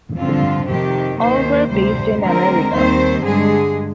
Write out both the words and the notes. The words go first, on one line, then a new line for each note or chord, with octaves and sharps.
All were based in America.
G2 D3 F3 C4 F4
F2 C3 D#3 G4
D#2 D#3 A#3 C5
D2 C3 G3 C5
D2 D3 G#3 C4 A#4
D#2 D#3 G3 C4 C5
G2 D3 G#3 G#4